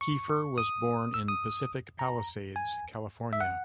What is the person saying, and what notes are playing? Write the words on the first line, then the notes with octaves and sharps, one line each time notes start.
Keifer was born in Pacific Palisades, California.
C#6
D#6
E6
D#6
A#5
G#5
E5
F#5